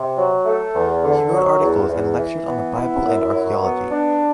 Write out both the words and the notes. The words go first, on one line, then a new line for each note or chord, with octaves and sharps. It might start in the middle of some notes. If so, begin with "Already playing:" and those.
He wrote articles and lectured on the bible and archeology.
Already playing: C3
F#3
A3
E2
D3
F#3
E2
E2
E3
B3
E4
F#2
F#3
B3
D4